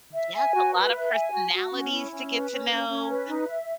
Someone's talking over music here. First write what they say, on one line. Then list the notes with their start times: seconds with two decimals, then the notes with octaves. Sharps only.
Yes, a lot of personalities to get to know.
0.14 E5
0.34 G#5
0.54 F#4
0.74 B4
0.92 E5
1.12 G#5
1.32 F#4
1.52 F#4
1.71 C#4
1.91 E4
2.11 C#4
2.31 B4
2.50 C#4
2.70 C#4
2.89 C#4
3.08 B4
3.28 D#4
3.48 E5